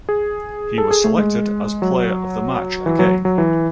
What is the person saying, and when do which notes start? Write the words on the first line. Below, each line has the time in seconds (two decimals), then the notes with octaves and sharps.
He was selected as player of the match again.
0.09 G#4
0.78 A4
0.91 G#4
1.04 A3
1.17 G#3
1.82 F#3
2.86 E3
2.99 F#3
3.25 F#3
3.38 E3